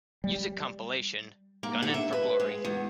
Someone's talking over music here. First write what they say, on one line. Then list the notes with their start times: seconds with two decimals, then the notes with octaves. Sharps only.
Music compilation "Gunnin' for Glory".
0.24 G3
1.63 A#3
1.83 D3
1.94 E5
2.13 B4
2.40 G#3
2.65 E2